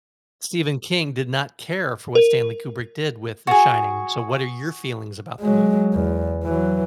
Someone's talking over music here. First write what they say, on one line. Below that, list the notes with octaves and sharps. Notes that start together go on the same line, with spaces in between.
Stephen King did not care for what Stanley Kubrick did with The Shining, so, what are your feelings about the movie?
A#4
F#4 G#4
F#3 G#3
E2
E3 F#3